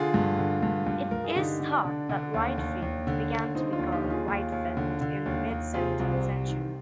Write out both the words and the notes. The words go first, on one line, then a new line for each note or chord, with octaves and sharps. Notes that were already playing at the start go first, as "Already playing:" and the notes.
It is thought that Whitfield began to be called 'Whytefeld' in the mid-seventeenth century.
Already playing: D3 F4 G#4
G2
D3
G2
G2
G2 A#4
G#4
D3 D#4 G4
D3
D4
D3
D3
D#2
D#2
D#2
D3
D#2
D3 C4 D#4
D4 F4
D#2
D#4 G4
D#2
F4 G#4
D#2
D#2
D3
D3
D#2
D#2
C3 F4 G#4
C2
C4
C3
D#3